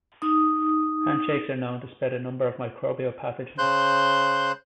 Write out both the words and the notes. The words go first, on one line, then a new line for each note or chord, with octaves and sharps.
Handshakes are known to spread a number of microbial pathogens.
D#4 D#6
C#3 C5 C6 F#6 G6